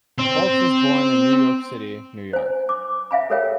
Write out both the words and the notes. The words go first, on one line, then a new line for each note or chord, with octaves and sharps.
Baltz was born in New York City, New York.
C4
C5 G#5
D6
E5 F5 G#5 B5
G4 A4 A#4 C#5 E5 G5